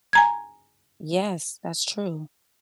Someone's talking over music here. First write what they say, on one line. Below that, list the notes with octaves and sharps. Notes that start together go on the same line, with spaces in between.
Yes, that's true.
G#5 A#5 G#6